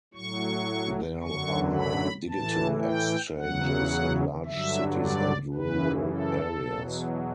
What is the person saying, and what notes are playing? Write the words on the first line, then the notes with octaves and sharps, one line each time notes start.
There are digital exchanges in large cities and rural areas.
A2 F#3 C#6
F#2 D3 F#3 C#6
B5
A2 E3 A5
G5
E2 C#3 F#3 F#5
G2 D3 F#3 E5
D5
F#2 C#3 E3 B4
A4
E2 B2 F#3